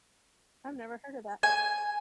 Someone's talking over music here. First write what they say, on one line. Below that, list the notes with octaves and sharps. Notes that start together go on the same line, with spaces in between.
I've never heard of that.
G#5